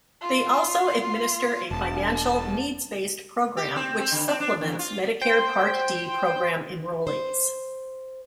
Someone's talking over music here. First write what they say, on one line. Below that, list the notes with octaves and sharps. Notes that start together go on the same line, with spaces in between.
They also administer a financial needs-based program which supplements Medicare Part D program enrollees.
F4
E1 A5
G4
C4
C4
D3
C4
D4
E2
F4
C5 G5 G6
C5